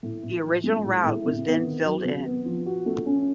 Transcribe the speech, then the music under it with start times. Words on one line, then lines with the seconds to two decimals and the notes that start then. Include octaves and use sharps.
The original route was then filled in.
0.03 A2
0.23 A2
0.43 F3
0.64 G#3
0.83 A2
1.04 A2
1.25 C3
1.45 B3
1.64 D#3
1.85 F#3
2.05 C3
2.25 B3
2.45 F3
2.66 F#4
2.86 A3
3.06 C#4